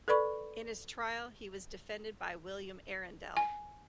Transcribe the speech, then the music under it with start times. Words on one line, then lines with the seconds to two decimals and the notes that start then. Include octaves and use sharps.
In his trial he was defended by William Arrindell.
0.08 A4 B4 D5 B5 C#6
3.37 G#5